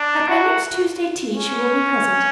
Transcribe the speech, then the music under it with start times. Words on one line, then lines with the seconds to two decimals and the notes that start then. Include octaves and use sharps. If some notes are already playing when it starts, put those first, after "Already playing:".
At my next Tuesday tea she will be present.
Already playing: D4
0.28 F#4
1.35 C#4